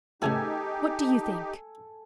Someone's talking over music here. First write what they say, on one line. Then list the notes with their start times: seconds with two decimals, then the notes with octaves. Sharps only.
What do you think?
0.22 A2 C#3 D#4 E4 G4 A4 G#5